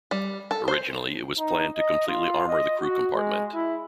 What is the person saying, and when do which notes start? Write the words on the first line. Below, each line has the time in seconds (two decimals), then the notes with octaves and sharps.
Originally, it was planned to completely armour the crew compartment.
0.11 G3
0.51 A4
0.68 C5
1.38 D#4
1.76 D#5
2.07 F4
2.48 D#5
2.81 F#4
3.15 G#3
3.54 E4